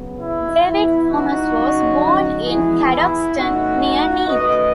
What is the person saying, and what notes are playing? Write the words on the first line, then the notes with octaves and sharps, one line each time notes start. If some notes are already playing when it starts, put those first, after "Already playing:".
David Thomas was born in Cadoxton, near Neath.
Already playing: C#3 F#3 B3
E4
E3 B3 E4
D#4 F#4
C#3 F#3 C#4
E3 B3 E4 G#4
E4
B2 A3 C#4 D#4 F#4
D#3 A3 C#4 B4 D#5